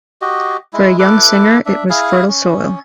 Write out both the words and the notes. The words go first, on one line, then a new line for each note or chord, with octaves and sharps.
For a young singer, it was fertile soil.
F#4 G4 D#5
G#3 E4
E4 A4 B4 D6
D4 E5
E4 G#4 F5 G#5
C#4